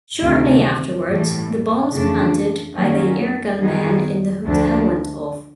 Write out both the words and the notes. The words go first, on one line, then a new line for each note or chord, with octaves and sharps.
Shortly afterward, the bombs planted by the Irgun men in the hotel went off.
D2 C3 D#3
A2 E3 G3
F2 C#3 E3 A3 D4
D#3 F#3 A#3 C#4
D#3 G3 B3 D#4 G#4
D2 D3 F3 A3 D4